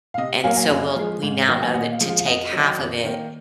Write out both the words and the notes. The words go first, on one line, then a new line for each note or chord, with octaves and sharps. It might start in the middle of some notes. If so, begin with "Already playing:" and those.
and so, we'll, we now know that to take half of it
F5
C3 D#5
F#3 A#3 F5 G#5
F5 G#5
F#2
F3 G#3
G#2
D#3 F#3 A#3
G#5
A#2 D#5 F#5
F5
F3 G#3
F5
F5
F2 D#5 F#5
D#3 F#3
F2
D#3 A#3